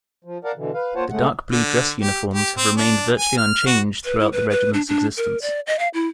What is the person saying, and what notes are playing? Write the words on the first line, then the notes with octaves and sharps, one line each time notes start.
The dark blue dress uniforms have remained virtually unchanged throughout the regiment's existence.
F3
A#4 D5 F5 F#5 A5
B2 D3 E3
B4 F5
A#3 F4 C5 C#5 F#5 A5
A2 C#3 G#3 A3 F#5
D3
G4
G4
C4
D4
G#5
F6
F#4
B4
E4
B4
B4
D4
D4
A#4
D5
D#5
F5
E4